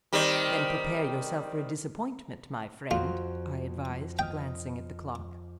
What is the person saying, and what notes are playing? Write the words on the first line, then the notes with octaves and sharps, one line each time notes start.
"Then prepare yourself for a disappointment, my friend," I advised, glancing at the clock.
D#3 G3 C4
F2 C4 F4 F#4
D#5 G5 F6